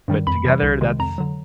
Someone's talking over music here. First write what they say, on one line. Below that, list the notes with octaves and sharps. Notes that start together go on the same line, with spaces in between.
but together, that's
G2 D#3 G3
F2 B5
C3 E3 G3
C2
C3 D#3 G#3
F2 A#5
D3 F#3